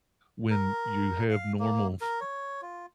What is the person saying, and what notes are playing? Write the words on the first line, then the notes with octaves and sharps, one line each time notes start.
when you have normal f
A#4
F5
A#3
A#4
C#5
F4